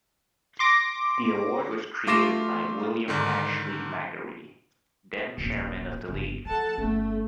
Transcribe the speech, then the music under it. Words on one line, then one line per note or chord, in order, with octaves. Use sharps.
The award was created by William Ashley Magarey, then chairman of the league.
C6 D6 A#6 D7
A3 F4 D6 A#6 C7 E7
G#2 D3 D#3
D#1 A#1
G1 C#3
F3 A4 F#5 A5
G1 A3 C#4